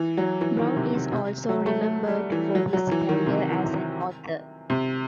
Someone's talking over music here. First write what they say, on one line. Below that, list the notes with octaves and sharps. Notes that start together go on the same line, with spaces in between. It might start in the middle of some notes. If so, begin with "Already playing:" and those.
Brown is also remembered for his career as an author.
Already playing: E3
F#3
E3
D#3
C3
C3
C3
F#3
A3
G3
E3
F#3
F#3
E3
D#3
C3
E3
C3